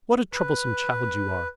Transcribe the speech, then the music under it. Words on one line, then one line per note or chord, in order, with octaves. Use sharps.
What a troublesome child you are!
B4